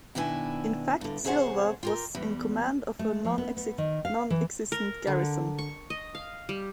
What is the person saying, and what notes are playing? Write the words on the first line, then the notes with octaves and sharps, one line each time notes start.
In fact Silva was in command of a nonexistent garrison.
B2 D#3 D4 E4 G#5
G2 D3
E2 C3 G#4 C5 C#5 F#5
F4 G4 A#4
E2 G3
A3
F3
B3
B3
D#3
F5
E3
A#4
D3
C#6
D#5
F5
G3